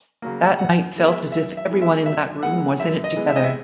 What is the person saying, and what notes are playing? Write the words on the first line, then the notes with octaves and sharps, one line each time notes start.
That night felt as if everyone in that room was in it together.
C#3 F#3 A#3
F#2 F#5
E3 G#3 B3
E5
F#2 E5
E5
E3 G#3 B3
E5
F#2 E5
E3 G#3 B3 F#5
F#2 E5
D#5
E3 G#3 B3
E5
D#5
E5